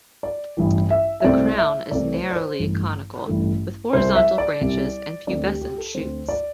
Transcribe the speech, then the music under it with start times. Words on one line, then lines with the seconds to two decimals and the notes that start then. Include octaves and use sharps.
The crown is narrowly conical with horizontal branches and pubescent shoots.
0.23 D5
0.57 A1 G2 E3
0.90 E5
1.20 E5
1.24 C2 C3 A3 C4 D5
1.58 E5
1.91 C2 C3 A3 C4 D5
2.14 C5
2.31 D5
2.36 C5
2.59 A1 G2 E3 A3
3.26 A1 G2 E3 A3
3.93 C2 C3 G3 C5
4.16 E5
4.38 D5
4.61 C2 C3 G3
5.27 D2 D3 C4 D5
5.44 G4
5.61 G4
5.78 A4
5.95 D2 D3 C4 C5
6.28 D5